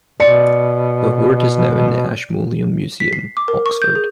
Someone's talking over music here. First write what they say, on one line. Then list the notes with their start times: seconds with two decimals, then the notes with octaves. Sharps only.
The hoard is now in the Ashmolean Museum, Oxford.
0.20 B2 D5 C#7
3.00 B6
3.13 C7
3.37 D6
3.48 A#4
3.66 C#6
3.82 G6
3.95 G#4